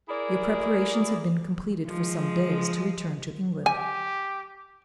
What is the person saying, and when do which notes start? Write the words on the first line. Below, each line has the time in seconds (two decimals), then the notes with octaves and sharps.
Your preparations have been completed for some days, to return to England.
0.09 E4 G#4 A#4 D5
1.87 F3 G#3
3.66 G4 G#5